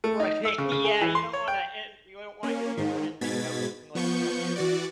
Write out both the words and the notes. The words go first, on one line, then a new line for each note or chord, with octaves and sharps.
Right, yeah, you don't wanna end you don't want your yard ending up looking like a junkyard.
A3
D#4
E6
C#3
C#3
G#4
E3
C6
C#5
G5
A#3 C#4
G#2 D#3
G#2 B2 G#6 A6 B6
F3 B3 C#6 G6
E3 F#4 D5